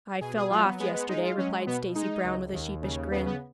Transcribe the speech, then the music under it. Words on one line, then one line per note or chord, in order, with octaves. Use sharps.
"I fell off yesterday," replied Stacy Brown with a sheepish grin.
B2 G#4
G#4
F#3 F4
B3
G#3 B3
B3
G#3 D#4
F4
F#3 C#4
B2 B3
G#3 D#4
C#2
D#2
C#3
C#3 B3
B3